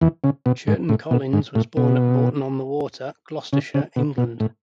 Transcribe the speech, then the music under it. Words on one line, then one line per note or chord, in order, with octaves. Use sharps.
Churton Collins was born at Bourton-on-the-Water, Gloucestershire, England.
E2 E3
C#3
B2
G#2
A2
B2
G#2
A2
B2
C#3
C#3
B2
B2
A2